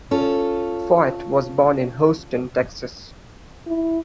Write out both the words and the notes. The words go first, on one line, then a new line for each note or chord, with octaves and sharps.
Foyt was born in Houston, Texas.
C#4 F4 A4
E4